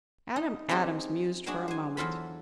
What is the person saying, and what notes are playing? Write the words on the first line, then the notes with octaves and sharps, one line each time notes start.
Adam Adams mused for a moment.
D#4
C4 C#4 D#4 G4 G#4
F#3 G#3 D4 F#4 G#4
C5 G#5
E2 F#3 F4 A4 C5 B5